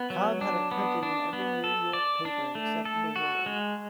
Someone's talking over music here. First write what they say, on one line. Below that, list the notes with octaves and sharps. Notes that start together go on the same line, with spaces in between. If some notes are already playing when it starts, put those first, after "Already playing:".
Cobb had it printed in every New York paper-except the "World".
Already playing: B3
F#3
D4
B3
D4
B3
A4
D5
D4
A3
A4
F#4
G#3